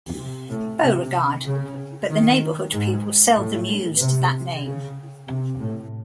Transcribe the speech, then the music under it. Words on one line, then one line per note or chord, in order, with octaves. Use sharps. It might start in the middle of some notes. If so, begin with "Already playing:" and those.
Beauregard, but the neighborhood people seldom used that name.
C3
A2
C3
C#3
D#3
G#2
A2
C3
C#3
C3
A2